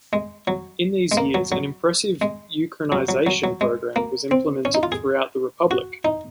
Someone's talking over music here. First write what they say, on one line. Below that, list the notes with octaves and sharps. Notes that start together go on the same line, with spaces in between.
In these years an impressive Ukrainization program was implemented throughout the republic.
G#3
F#3
G#3
A#3
F#3
F#3
G#3
F#3
F#3
F#3
F#3
G#3
A#3
C4
C#4
D#4
F4
G#4
F#4
D#4